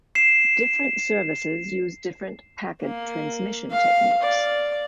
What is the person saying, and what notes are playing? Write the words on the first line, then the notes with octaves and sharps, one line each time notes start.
Different services use different packet transmission techniques.
C7 E7
A#3
F5
D5